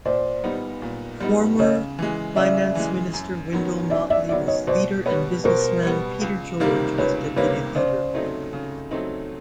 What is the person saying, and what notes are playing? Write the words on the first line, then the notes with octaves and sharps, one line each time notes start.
Former finance minister Wendell Mottley was leader and businessman Peter George was deputy leader.
A#2 C5 D5
G3 B3 D#4
A#2
G3 B3 D#4
C#3 C#5 D#5
E3 G#3
C#3 D5 E5
E3 G#3
F#2
D#3 F#3 B3
F#2 D5 E5
D5 E5
D#3 F#3 B3 D5 E5
C#5 D#5
B2 C5 D5
G3 B3 B4 C#5
B2 A#4 C5
G3 B3
C#2
C3 D#3 G3 A#3
C#2 B4 C#5
C3 D#3 G3 A#3 B4 C#5
C#3 C5 D5
F#3 A3 C4 D#4
C#3
F#3 A3 C4 D#4